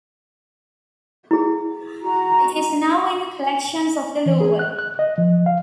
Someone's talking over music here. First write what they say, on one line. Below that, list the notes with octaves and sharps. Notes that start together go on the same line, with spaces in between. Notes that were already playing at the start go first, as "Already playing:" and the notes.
It is now in the collections of the Louvre.
E4 G#4
F#4 A#5
E3
G#4
F#6
F#6
D#5
F3
F5